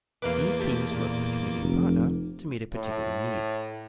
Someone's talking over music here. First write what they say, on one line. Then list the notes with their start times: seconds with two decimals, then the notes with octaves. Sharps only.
These teams work with a community partner to meet a particular need.
0.22 E2 A#3 B4 F5 D6
0.60 A3 G4
0.93 A#2
1.61 F1
2.73 A2